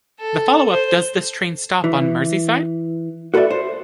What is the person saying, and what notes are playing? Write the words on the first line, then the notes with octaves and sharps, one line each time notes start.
The follow-up Does This Train Stop on Merseyside?
A4
C5
E3
F#4 A4 B4 C5 D5 E5
C5